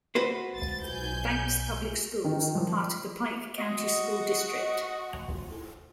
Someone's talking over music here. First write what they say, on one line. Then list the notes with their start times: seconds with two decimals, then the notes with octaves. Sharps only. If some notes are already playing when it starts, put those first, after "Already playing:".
Banks Public Schools are part of the Pike County School District.
0.15 F#4 B4 C5
0.55 G#1 A6
0.86 B1 G#5 G6
2.24 D#3
2.55 F3
3.58 F#4 D#5